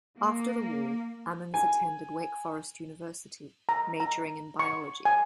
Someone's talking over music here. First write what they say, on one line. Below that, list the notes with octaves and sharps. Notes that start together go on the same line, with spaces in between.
After the war, Ammons attended Wake Forest University, majoring in biology.
A#3
G#5
A#5
A#5
C#6
G#5